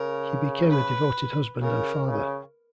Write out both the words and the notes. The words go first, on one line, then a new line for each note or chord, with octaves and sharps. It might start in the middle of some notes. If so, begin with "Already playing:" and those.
He became a devoted husband and father.
Already playing: C#3 A#4
B4
C#3 A#4
C#3